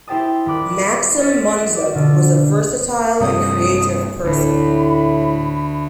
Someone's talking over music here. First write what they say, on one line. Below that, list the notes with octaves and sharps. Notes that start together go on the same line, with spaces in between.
Maxim Munzuk was a versatile and creative person.
E4 G4 C5 G5 A5 D#6
D#1 B5 D6 F#6
D#5 F6 A6 B6 C#7
F#4 D5
B2 D3 F4
G2 C3 A3 D#6
D2 A2 B5